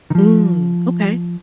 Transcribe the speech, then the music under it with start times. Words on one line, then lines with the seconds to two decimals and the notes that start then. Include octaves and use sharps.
Mm. Okay.
0.10 D#3
0.15 F3